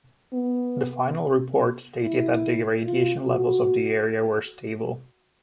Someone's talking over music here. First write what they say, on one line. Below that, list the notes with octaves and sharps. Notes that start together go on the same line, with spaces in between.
The final report stated that the radiation levels of the area were stable.
B3
E4
F4
F#4